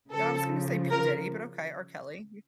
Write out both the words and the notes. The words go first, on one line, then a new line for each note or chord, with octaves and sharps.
I was gonna say P Diddy, but okay, R. Kelly.
C#3 F3 A4
A#4